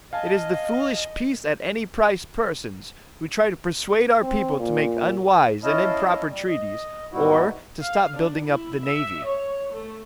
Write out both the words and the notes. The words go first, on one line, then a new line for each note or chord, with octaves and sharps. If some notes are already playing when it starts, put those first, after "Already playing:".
It is the foolish, peace-at-any-price persons who try to persuade our people to make unwise and improper treaties, or to stop building up the navy.
D#5 F5 G#5 A5
C4
A#2
C#4 E4 D#5 F5 A5
G3
D#5
G#2 B2 G3 D#4 E4 F#4
F5
D4
E4
E5
C#5
A3